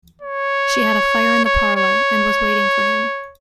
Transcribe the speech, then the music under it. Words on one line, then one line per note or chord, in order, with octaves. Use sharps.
She had a fire in the parlour, and was waiting for him.
C#5
C#5
C#5